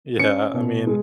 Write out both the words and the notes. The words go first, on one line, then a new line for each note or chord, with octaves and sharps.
Yeah, I mean,
C#4 C#7
B2
G#3